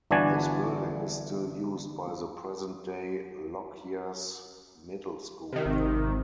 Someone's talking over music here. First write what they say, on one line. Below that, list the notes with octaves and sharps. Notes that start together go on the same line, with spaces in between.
This building is still used by the present day Lockyer's Middle School.
G1 E3 D4 F#4 D5 G#5
C3 D#3
G#1